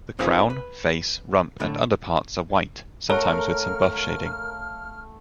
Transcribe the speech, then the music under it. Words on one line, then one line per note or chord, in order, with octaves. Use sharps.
The crown, face, rump and underparts are white, sometimes with some buff shading.
C4 D#4 F4 G#4 B4 C5
B4
A2 D3 A3
A3 A#4 C#5 F5 F#5 F6